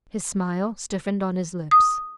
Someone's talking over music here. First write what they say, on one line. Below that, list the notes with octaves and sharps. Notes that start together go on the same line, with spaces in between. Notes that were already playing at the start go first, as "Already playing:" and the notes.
His smile stiffened on his lips.
D#6